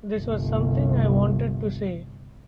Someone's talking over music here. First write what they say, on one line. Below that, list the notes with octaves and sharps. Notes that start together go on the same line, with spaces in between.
This was something I wanted to say.
G1 C2